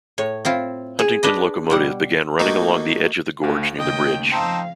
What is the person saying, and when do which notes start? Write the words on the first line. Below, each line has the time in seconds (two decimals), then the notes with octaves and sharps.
Huntington locomotive began running along the edge of the gorge near the bridge.
0.18 A2 C#5
0.45 C4 E4 F4
0.99 G#4
1.23 D4 B4 D#5
1.70 B2 G3 F#5
2.39 A3 A#3 D#4 F#4
3.42 D2 F5
3.78 D#2 C#3 A3 A#3 D#5 G5
4.32 F2 C4 D#4 F5 G5 A5